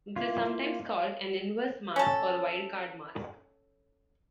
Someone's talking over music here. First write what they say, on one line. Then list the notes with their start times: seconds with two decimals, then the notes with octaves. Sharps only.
This is sometimes called an inverse mask or a wildcard mask.
0.16 A#3 E4 F4
1.96 C#4 A4